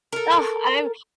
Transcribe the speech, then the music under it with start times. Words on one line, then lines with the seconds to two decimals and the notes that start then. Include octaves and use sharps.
Ugh, I'm
0.12 A4 A#4